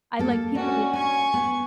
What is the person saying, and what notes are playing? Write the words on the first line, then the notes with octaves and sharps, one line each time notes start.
I like people to
A#3 A4
C#4 D4 F#4
C#4 G#5 C#6
B3